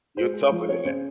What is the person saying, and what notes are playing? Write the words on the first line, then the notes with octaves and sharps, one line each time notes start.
you're tougher than that.
G#3 C5
G#3
F3
C4 C#5
C#3 C5